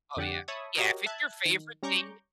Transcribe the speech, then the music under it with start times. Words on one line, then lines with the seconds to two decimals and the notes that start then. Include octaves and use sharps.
Oh, yeah. Yeah. If it's your favorite thing
0.16 F2 D3 G4 D5 F#5
0.48 C#5 E5 A5 B5 C#6 D#6
0.78 F#4 G4 A#4 C#5 D#5
1.06 E5 A5 F#6 G#6
1.45 D#3
1.83 G3 C#4 A#5 C#6 D6 G6